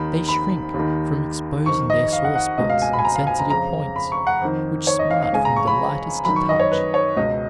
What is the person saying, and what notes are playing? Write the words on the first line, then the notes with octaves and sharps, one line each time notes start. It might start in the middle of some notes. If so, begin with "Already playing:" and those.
They shrink from exposing their sore spots and sensitive points, which smart from the lightest touch.
Already playing: D#2 D#3 B5
B5
D#2
D#3
F2 D#3 C#6
D#5
F5
F#5
F#5
C#2 B2 D#5
F5
G#5
B5
G#5
A#5
F5
G#5
A#5
F2 C#3 A#5
B5
C#6
F#5
F2 D#3
C#5
D#5
F5
F5
C#2 C#3 G#5
A#5
C#6
B5
F#2 D#3 B5
C#6
D#5
C#5
B4
C#5
C#2 B2 D#5